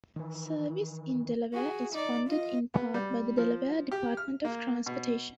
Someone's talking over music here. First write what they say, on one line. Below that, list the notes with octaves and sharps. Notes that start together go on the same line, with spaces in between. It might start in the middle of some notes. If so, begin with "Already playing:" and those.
Service in Delaware is funded in part by the Delaware Department of Transportation.
D#3 E3
F#4 G#4
D#4 D5
F4 D#5
B3
G3
F3
G4
F6
A#3
B2